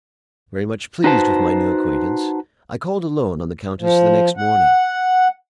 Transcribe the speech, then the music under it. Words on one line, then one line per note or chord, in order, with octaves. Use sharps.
Very much pleased with my new acquaintance, I called alone on the countess the next morning.
D#4 F#4 B4 C5 A5
F3
F#5